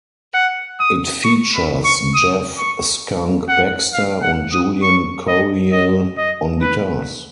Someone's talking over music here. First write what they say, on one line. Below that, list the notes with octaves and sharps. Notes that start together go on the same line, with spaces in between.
It features Jeff "Skunk" Baxter and Julian Coryell on guitars.
F#5
D#6
C#6
B5
C#6
D#6
C#6
F#5
F5
F#5
D#6
C#6
D#5
D#5
D#5
B4